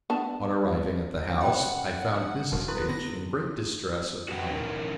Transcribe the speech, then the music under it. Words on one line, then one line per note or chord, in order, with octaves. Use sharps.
On arriving at the house, I found Mrs. H-- in great distress of mind.
B3 D4 A5
C#4 F#5 G5 B5
E1 F#2 A5
E4 A4 B4 C6
D3 B3 A#6
F#4 G4 B4 E5 F#5 G5
C#4 D#4 E4 A#4